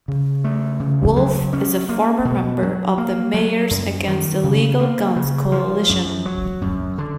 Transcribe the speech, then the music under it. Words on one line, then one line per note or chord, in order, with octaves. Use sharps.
Wolf is a former member of the Mayors Against Illegal Guns Coalition.
C#3
A3
C#3
F#3
C#4
A#3
B2
F#3
A#3
F#3
F#2
D#3
C#3
A#3
C#3
F3
F#2
F#3
F#2
D3